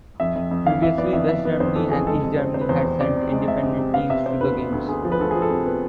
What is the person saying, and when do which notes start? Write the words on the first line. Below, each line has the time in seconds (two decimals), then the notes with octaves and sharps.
Previously, West Germany and East Germany had sent independent teams to the Games.
0.20 F2 E5
0.35 F2
0.51 F2
0.66 E3 F5
0.82 E3 E5
0.98 B3 D5
1.13 F2 E5
1.28 F2 E5
1.45 B3
1.60 F2 C5
1.75 E3 A4
1.91 F2 G#4
2.07 G#3 A4
2.23 C3
2.39 C4
2.54 C3 C5
2.61 B4
2.69 E2 C5
2.85 C4
3.01 C3 D5
3.17 C3
3.32 G#3
3.47 G#3 E5
3.63 C3
3.79 C3
3.94 B3 F5
4.10 C3 E5
4.26 C3 C5
4.41 D2 B4
4.57 B3
4.72 D2
4.88 D2 G#4
5.04 F3
5.12 B4
5.19 D2 A4
5.31 F3 G#4
5.42 A4
5.50 C3
5.66 B3